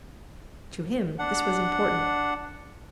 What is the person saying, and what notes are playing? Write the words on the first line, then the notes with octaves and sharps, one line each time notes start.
To him this was important.
D4 F#5